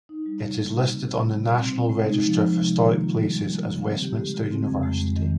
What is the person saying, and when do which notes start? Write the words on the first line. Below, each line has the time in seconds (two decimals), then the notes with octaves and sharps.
It is listed on the National Register of Historic Places as Westminster University.
0.09 D#4
0.26 G3
0.43 C#3
0.58 A#3
0.75 C3
0.91 C4
1.08 C3
1.24 G3
1.40 C3
1.57 C4
1.73 C3
1.89 G#3
2.05 D#4
2.22 F3
2.39 C3
2.55 G#3
2.71 D#3
2.88 A#3
3.04 F4
3.21 G3
3.36 D#3
3.52 A#3
3.69 C#3
3.85 C4
4.02 G4
4.17 G#3
4.35 C#3
4.51 C4
4.67 F2
4.83 G#3
5.00 F2
5.16 D#3